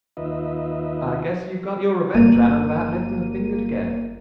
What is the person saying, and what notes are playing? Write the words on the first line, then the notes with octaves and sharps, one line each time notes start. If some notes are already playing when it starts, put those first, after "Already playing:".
I guess you've got your revenge, Anna, without lifting a finger to get it.
D#2 D#4 F4 B4 D#5 E5
G1 A#3 D#7